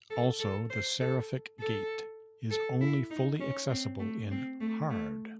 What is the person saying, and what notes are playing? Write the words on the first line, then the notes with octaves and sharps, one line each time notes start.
Also, the Seraphic Gate is only fully accessible in Hard.
A4
A4
C5
A4
A4
A4
E4
D#4
C#4
C4
A3
C4
A3
A3